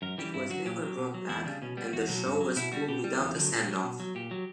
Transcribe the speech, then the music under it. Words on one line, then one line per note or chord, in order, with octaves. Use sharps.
It was never brought back, and the show was pulled without a send-off.
F#2 A#4
E3 G3 G4
G2 E4
F#3 F#4
A#2 G4
F#3
B2
F#3
E2 E4
C#3 G3 D4
B2 C#4
G3 B3
E2 F#4
B2 F#3
G2
F#3
B2 E4
G3 F#4
B2 G4
G3
E2
D3 F#3
A#2
F#3
B2
F#3
A#2 G4
F#3